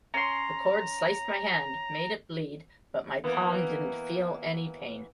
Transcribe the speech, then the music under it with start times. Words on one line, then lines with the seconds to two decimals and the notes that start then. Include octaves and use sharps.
The chord sliced my hand made it bleed, but my palm didn't feel any pain.
0.14 C#4 A#5 C6
3.24 E3 A#3 B3